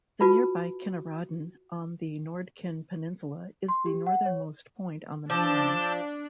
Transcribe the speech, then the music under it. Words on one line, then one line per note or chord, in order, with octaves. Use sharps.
The nearby Kinnarodden on the Nordkinn Peninsula is the northernmost point on the mainland.
F4 F#4 B4 A5 B5
C6
G4
F#5
C#5
F3 D4 A5 D6 E6 G6